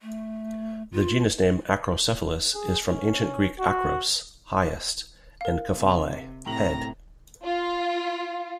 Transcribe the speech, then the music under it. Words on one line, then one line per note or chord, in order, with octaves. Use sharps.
The genus name "Acrocephalus" is from Ancient Greek "akros", "highest", and "kephale", "head".
A3
F4
G#4
C#4
F#4
A#4 F5
C3
A2 C3 A#5 A#6 F#7
F4